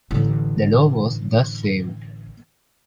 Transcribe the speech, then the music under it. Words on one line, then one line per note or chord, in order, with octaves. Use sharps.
The law was thus saved.
A1 D3